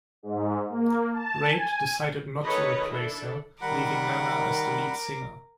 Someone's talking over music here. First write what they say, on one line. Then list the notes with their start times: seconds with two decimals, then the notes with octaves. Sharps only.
Braid decided not to replace her, leaving Nanna as the lead singer.
0.23 G#2
0.67 A#3
1.13 A5
1.49 G#5
2.42 D#3 A4 B4 C#5 D#5 B5
2.88 D4 E4 A4
3.61 D#3 G3 A#4 F#5 B5 D6